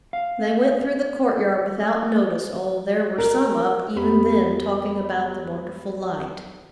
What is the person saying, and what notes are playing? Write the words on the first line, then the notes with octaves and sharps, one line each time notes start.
They went through the court-yard without notice, although there were some up even then talking about the wonderful light.
F5
A#4
F2 G#3 B3 G4 A#4 B5